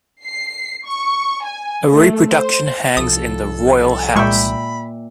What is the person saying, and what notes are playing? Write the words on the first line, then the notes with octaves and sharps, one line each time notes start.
A reproduction hangs in the Royall House.
C7
C#6
G#5
A3
C5
C2 F3 A4 D#6
A#2 G#3 E5 G5 B5 C#6